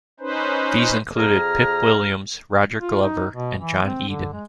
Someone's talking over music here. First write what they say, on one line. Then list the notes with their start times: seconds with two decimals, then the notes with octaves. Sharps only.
These included Pip Williams, Roger Glover, and John Eden.
0.20 C#4 D#4 B4 C5
1.16 F2 G#4 A#5 F6
2.79 F4
3.03 D#4
3.34 B2
3.60 E3
3.83 C4
4.08 D3
4.33 G#3